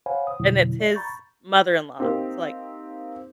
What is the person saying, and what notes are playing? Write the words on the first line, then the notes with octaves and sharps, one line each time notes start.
and it's his mother-in-law, so, like
C5 C#5 F5 F#5 G#5 B5
D#6
F2 B2 D3 F#3 E4
D5 E5
A#5 B5 C#6 G6 A6
A#3 C4 D#4 G4 A#4